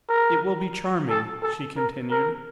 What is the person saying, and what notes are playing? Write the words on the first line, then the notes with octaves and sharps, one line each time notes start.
"It will be charming," she continued.
A#4
A4
A4
A#4
A#4